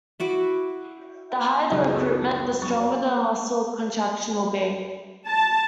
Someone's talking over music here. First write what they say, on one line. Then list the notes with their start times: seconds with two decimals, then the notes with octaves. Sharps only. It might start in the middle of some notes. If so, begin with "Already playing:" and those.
The higher the recruitment the stronger the muscle contraction will be.
0.20 E4 F#4 D6
1.71 C#2 F#2 C#3 G#3 B3 D#4
2.62 F#2 C#6 A6
5.27 A5